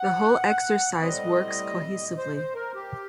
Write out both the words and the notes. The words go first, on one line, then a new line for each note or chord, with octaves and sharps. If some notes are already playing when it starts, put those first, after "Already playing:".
The whole exercise works cohesively.
Already playing: F#5
A2 G3 C4 D#5
C5
C5
A#4
G4